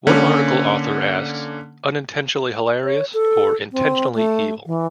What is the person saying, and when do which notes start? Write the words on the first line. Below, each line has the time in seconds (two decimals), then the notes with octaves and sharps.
One article author asks, unintentionally hilarious or intentionally evil?
0.07 D3 A#3 C#4
2.84 C#5
3.14 A4
3.72 C4
4.15 A3
4.66 E3